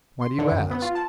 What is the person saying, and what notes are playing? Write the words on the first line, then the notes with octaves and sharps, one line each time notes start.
"Why do you ask?"
C6
D3
F#2
B3
F4
A5